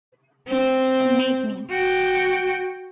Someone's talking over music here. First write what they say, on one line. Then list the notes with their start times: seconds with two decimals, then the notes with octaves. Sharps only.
Make me!
0.48 C4
1.69 F#4 G5